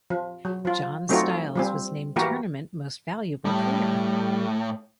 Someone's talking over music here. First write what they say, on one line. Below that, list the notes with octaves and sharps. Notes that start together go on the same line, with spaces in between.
John Styles was named Tournament Most Valuable Player.
F3
F#3
F3 F4
F#3 A3 C4 D#4 F4 F#4
F3 G3 C4
E3 A#3 F#4 G4 A#4
A2 G3